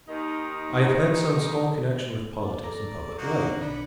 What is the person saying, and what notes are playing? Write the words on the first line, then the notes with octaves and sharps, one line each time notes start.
I have had some small connection with politics and public life.
D#2 D#3 D#4
A#3 D5
A4 A#5 D6
A#3 D#4 F#4
D3 D#3 C4
B1 B3 D4 D5